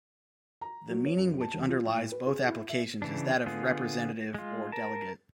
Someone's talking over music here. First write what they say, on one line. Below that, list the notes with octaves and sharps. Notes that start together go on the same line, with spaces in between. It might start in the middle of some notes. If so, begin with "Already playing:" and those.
The meaning which underlies both applications is that of representative or delegate.
A#5
F#3
C#5
F#2
A5
E1
F4
A2
B4
G#4
E4
E5
C#3 E3 D4
D3 B3 F4 G#4
G#3 F4
A#4 A5